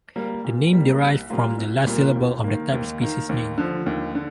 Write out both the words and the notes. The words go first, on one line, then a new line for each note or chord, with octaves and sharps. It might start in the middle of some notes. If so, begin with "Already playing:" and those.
The name derives from the last syllable of the type species name.
G3 A#3
A#2
G3 A#3
C2
A#2 G3 A#3 F4
C2
A#2 G3 A#3 F4
D#2
D#3 A#3
D#2
D#3 A#3
D#2
D3 F3
D#2
D3